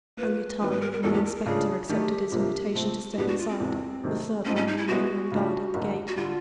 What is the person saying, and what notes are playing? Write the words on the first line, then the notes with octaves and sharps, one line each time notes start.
Only Tarling and the Inspector accepted his invitation to step inside, the third man remaining on guard at the gate.
A#2 F3 A#3 B4
G#2 D#3 F#3 B3 B4
B4
A#4
A#4
E1 E2 B2 F#3 A3 A4
G4
A#4
A#4
C#2 C#3 F3 A3 D4 G#4
D#3 F#3 A3 G4
G1 F2 C3 F3 A#3
C3 F3 A3 C4
F#4
E2 B2 G3 B3 D4 G4
F#4
F4
C4
E1 E2 C3
C3 D#3 F#3 A3
G#2 F3 A3 C4 C#4 D#4
C#4
D#4
E4
B2 G#3 B3 E4 F#4
C#3 F3 A3 D4 G4
F#1 F2 D3 F3
F#4
D3 G3 F4